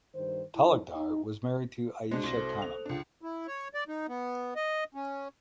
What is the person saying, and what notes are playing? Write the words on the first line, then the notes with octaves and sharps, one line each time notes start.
Talukdar was married to Ayesha Khanam.
G2 D#3 C5
F2 D#4 E4
D#4
G#3 D4 F#4 C5
C2 C6 A#6
A4 C5
F7
C#2 D4
E4
C#5
D5
D#4
B3
D#5
C#4